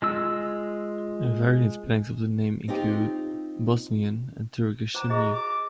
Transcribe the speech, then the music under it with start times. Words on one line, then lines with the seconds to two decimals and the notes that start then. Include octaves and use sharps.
Variant spellings of the name include, Bosnian and Turkish Semir.
0.02 G#3 F4 E6
2.68 C4 D#4 F4 G4
4.95 C5 A#5 D6
5.10 G#4 D#5 A#5
5.32 D6